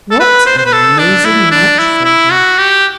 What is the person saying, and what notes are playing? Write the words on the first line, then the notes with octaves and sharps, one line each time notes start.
What an amazing match for her!
A4
B4
C5
C5
B4
A4
D4
E4
D4
E4
E4
F#4
G4